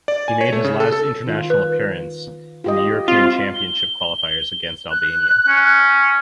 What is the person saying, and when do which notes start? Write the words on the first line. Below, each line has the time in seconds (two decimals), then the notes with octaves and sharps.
He made his last international appearance in the European Championship qualifiers against Albania.
0.08 D5
0.28 G#5
0.41 C#5
0.52 A3
0.64 C#3
0.80 A4
0.93 A4
1.27 D#3 F4
1.50 B4
2.64 F4 G4 D#5
3.08 C4 F4
3.55 G7
4.91 F#6
5.48 C#4